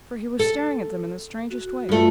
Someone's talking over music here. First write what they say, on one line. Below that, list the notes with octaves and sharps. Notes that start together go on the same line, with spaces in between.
For, he was staring at them in the strangest way.
A4
F#4
G2 A3 F4 A5